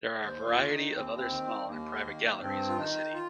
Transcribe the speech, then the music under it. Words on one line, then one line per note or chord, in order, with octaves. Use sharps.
There are a variety of other small and private galleries in the city.
D#2 C5
F4
D#3
D#4
D#2 C4
A#3
C4
D#3
D#2 A#3
D#3
G2 C4
F4
D#3 D#4
F4